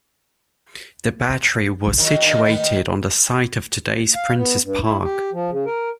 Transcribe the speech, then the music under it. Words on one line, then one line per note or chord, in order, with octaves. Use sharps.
The battery was situated on the site of today's Princes Park.
D#3 F#3
G2 A#2 D#3
D#3 B3
F5
B3
G2
E4
G4
F3
C#3
A#4